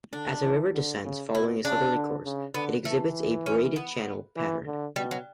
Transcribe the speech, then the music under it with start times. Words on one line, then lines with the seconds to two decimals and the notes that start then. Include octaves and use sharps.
As the river descends following a southerly course, it exhibits a braided channel pattern.
0.13 D3 D4
0.43 E3
0.74 D3
1.04 C#3
1.34 B2 E4
1.64 C#3 D4
1.95 D3
2.25 C#3
2.54 D3 B3
2.85 E3 A3
3.46 C#4
3.76 B3
4.36 E3
4.66 D3
4.96 B2 G3
5.11 F#3